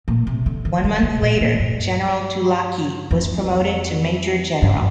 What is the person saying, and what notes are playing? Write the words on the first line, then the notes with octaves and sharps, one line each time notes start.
One month later, General Dulacki was promoted to major general.
A#2
C3
D3
D#3
D3
C3
A#2
A#2
G2
F2
G2